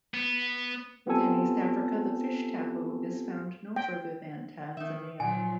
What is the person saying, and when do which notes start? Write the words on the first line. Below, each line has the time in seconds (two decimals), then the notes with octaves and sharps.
Within East Africa, the fish taboo is found no further than Tanzania.
0.14 B3
1.07 B3 C4 F4 G4 A4 G#5
3.76 G5
4.77 D#3 D#4 E5
5.20 A#2 F3 F#3 G#5